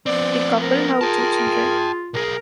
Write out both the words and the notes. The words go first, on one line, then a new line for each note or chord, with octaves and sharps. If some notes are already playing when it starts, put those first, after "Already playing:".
The couple have two children.
F3 B3 C4 D5
A#4
F4 G#4 G5 A5
B1 G#4 A#4